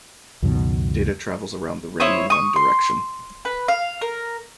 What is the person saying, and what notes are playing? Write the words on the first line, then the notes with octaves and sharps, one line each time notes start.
Data travels around the ring in one direction.
C#2 F#2 B2 D#3
E4 C5 C#5 D#6
C#6 D#6
C6
B4
F5
A#4